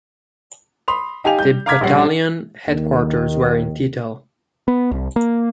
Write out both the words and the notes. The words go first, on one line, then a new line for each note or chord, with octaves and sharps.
The battalion headquarters were in Titel.
B5 C6 D#6 F7
D#4 G4 F5 G#5 F7
G3 G6
F5 A#5 D6 F6 G#6 B6
A#1 G3 C#4 F#5 C7
D#2 D#3
B3
C2
A#3